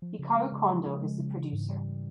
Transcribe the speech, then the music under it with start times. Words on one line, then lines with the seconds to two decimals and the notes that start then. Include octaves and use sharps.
Hikaru Kondo is the producer.
0.02 F3
0.19 C#3
0.35 G#3
0.52 C#3
0.70 F3
0.86 C#3
1.02 G#3
1.18 C#3
1.36 E3
1.53 G#2
1.69 G3